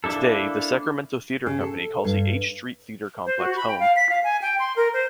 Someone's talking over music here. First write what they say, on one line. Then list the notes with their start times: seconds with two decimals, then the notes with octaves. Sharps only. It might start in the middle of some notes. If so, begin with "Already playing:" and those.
Today, the Sacramento Theater Company calls the H Street Theatre Complex home.
0.04 A#3 D4 E4 A4
1.46 C#3
1.61 A4
2.04 G2
3.26 C5
3.39 F#4
3.56 B5
3.68 G5
3.79 F5
3.96 B6
4.09 F5
4.24 G#5
4.42 G5
4.59 C6
4.76 A#4
4.94 C5